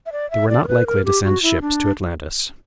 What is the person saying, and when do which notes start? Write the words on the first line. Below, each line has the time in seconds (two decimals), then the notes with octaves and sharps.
They were not likely to send ships to Atlantis.
0.06 E5
0.12 D5
0.31 E5
0.49 D5
0.64 A#4
0.68 B4
0.87 A#4
1.05 G4
1.24 F#4
1.43 E4
1.61 D4